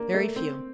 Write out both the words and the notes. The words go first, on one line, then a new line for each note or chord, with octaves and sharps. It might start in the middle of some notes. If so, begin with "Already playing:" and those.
"Very few."
Already playing: A#3 D4
A3
C4